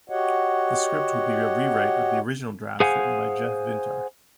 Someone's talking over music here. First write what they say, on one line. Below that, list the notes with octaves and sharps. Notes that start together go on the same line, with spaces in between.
The script would be a rewrite of the original draft written by Jeff Vintar.
F#4 G4 C#5 D#5 F#5
G#4 C5 F5 F#5 G#5